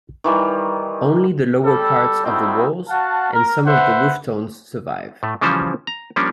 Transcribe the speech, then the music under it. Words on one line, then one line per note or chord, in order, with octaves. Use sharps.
Only the lower parts of the walls and some of the roofstones survive.
D#3 E3 G3
G3 A4
G3 C4 D#4 E4 F#4 A4
F#4 F5 F#5 A5
A#4
B4 C5 E5 F#5
A2 A3
C#3 E3 F3 G3 C#4 C5
A#5
F3 G3 A#3 C#4 D4